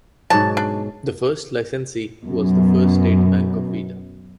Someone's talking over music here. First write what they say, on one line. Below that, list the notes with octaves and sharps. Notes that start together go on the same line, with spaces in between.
The first licensee was the First State Bank of Vida.
G#2 B2 F#3 A5
D4
F#2 B2